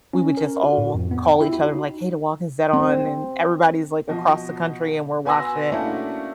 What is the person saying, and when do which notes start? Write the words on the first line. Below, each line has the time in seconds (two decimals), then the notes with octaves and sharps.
we would just all call each other and like, "Hey, The Walking Dead on," and everybody's like across the country and we're watching it.
0.13 C#4
0.37 A#4
0.63 F#4
0.78 A2
0.94 F2
1.11 B3
1.25 G5
1.41 E4
1.53 F#4
1.66 D#4
2.73 C4
4.09 B2 F3 D#5
5.25 B2 B4 G#5 C6 E6 A#6
5.72 A3 A#3 C#4 D4 E4 F#4